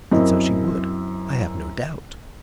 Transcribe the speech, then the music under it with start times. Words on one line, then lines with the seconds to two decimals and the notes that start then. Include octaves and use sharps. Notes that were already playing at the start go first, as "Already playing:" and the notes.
And so she would, I have no doubt.
0.12 F#2 C4 E4 A#4 D#5